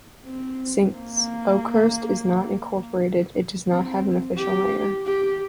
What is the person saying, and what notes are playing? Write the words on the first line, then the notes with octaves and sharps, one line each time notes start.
Since Oakhurst is not incorporated, it does not have an official mayor.
C4
A#3
C4
G4
G4